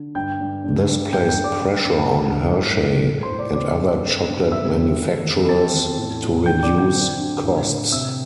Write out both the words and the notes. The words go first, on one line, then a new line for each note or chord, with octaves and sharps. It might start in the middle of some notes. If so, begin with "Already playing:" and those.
This placed pressure on Hershey and other chocolate manufacturers to reduce costs.
Already playing: D3
G2 G5 G6
G2
G2
G2
G2 G5 G6
G5 G6
G2
D5 D6
G2 G5
G2
G2
G2
A2
A2
A2
C5 C6
A2
D5 D6
C4 D5 D6
G2
C4
G2
C4 E5 E6
E2
A3
E2
C4 A5 A6
E2
A2
A2
D3 G5 G6
D5 D6
D3
G5 G6
C4
D3
A2
A2
C3 E5 E6